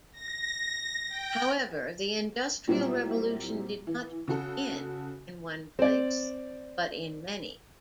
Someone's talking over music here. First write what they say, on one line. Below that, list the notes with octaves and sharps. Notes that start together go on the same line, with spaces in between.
However, the industrial revolution did not "begin" in one place, but in many.
A#6
G5
A#2 F#3 G3 C4 E4
E3
C#3 F#4 A4
C4 D5